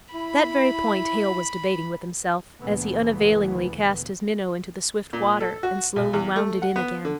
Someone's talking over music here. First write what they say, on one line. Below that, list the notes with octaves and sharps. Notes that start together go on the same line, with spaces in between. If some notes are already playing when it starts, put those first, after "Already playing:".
That very point Hale was debating with himself as he unavailingly cast his minnow into the swift water and slowly wound it in again.
E4 B5
D2 A#2 C#3 E3 A3 B3
A#2
A4
F#4
B1
E2
A3
F#5
B3
D3